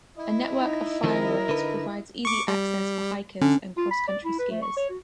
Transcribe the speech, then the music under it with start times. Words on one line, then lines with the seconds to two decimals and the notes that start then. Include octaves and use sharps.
A network of fire roads provides easy access for hikers and cross-country skiers.
0.18 E4 D#5
0.61 D#4
1.04 D#3 F3 C4 A#4
1.49 D3 D#4 B4
2.25 C#6 D6
2.48 G3
3.42 D3 C#4
3.77 F4
3.91 B5
4.08 D5
4.25 E4
4.39 B4
4.51 A3
4.62 C#6
4.77 C#5
4.90 F#4